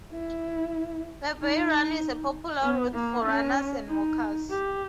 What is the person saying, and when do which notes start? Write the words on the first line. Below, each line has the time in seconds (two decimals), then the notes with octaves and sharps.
The Bay Run is a popular route for runners and walkers.
0.12 E4
1.37 D#4
2.62 B3
2.94 A#3
3.25 C#4
3.88 D#4
4.50 G4